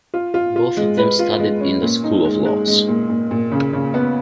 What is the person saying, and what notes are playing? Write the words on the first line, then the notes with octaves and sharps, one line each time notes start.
Both of them studied in the School of Laws.
F4
F4
F4
G#3
B4
F4
G#3
C#4
A#2
D#4
G#3
G#3
G#3
A#2
A#2
A#2
C#3
C#3
B3